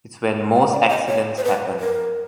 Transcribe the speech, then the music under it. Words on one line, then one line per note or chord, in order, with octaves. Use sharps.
It's when most accidents happen.
E5
D5
D#5
C#5
C5
B4
A#4